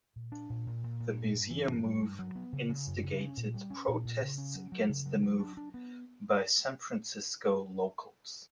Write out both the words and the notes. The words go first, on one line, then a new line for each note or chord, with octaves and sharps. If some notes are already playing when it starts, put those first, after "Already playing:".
The museum move instigated protests against the move by San Francisco locals.
A#2
D4
A#2
A#2
A#2
A#2
G2
G2
E3
G2
G3
G2
F#3
B3
C#3
C#3
F#2
C#3
C#4
A#2
G3
C#4
A#2
A#2
C#3
C#4
F#3
F#3
C#3
F#3
F#3
D4
D4
B3